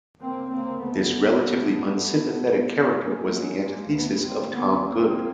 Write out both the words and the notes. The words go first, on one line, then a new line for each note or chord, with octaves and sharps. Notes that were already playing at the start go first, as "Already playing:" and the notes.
This relatively unsympathetic character was the antithesis of Tom Good.
D2 A#3 C4
C#3
A#3 C4
A3 B3
G#3 A#3
F#3 G#3
G#3 A#3
D2 C#3 A3 B3
A#3 C4
B3 C#4
A#3 C4